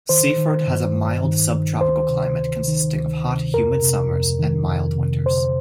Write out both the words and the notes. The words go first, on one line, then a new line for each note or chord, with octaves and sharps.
Seaford has a mild subtropical climate consisting of hot, humid summers and mild winters.
D#3 C5
D#3
G2
G2
D#3
D#3
D2 C5
C3
D2
D#3
D2
C3
F2 A#4
C3
F2
D#3
F2
C3
D3 C5